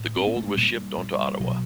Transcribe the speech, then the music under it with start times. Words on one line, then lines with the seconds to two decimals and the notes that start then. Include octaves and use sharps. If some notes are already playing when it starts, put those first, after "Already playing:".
The gold was shipped on to Ottawa.
Already playing: A2
0.16 C4
0.27 B3
0.36 A3
0.48 G#3
0.57 A#2 G3
0.98 G3
1.40 B2 F#3